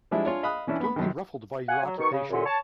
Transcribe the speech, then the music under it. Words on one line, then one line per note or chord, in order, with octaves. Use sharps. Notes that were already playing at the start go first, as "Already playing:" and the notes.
Don't be ruffled by your occupation.
F3 G3 G#3 D4 E4 E5
D4 F4 C#5 G#5
D#5 F5 B5 D#6 F#6
E3 C#4 D4 E4
B3 B5
F#2 D#3
F5 F#5 G#5
F#3
B2 D#3 D#4 C#6
C#3
C2 F#2 A#2 D3
C#5 A5